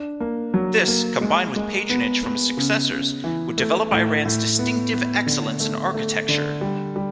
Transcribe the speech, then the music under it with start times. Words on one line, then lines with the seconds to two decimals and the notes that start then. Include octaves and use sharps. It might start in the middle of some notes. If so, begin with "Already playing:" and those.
This, combined with patronage from his successors, would develop Iran's distinctive excellence in architecture.
Already playing: D4
0.20 A#3
0.54 F#3
0.88 A#3
1.21 G#3
1.56 G#3
1.89 B3
2.23 B3
2.57 C#3
2.91 C#3
3.24 E3
3.58 A3
3.92 A2
4.25 A2
4.59 B3
4.93 B3
5.26 D3
5.60 A3
5.94 A3
6.29 D3
6.61 G3
6.96 G3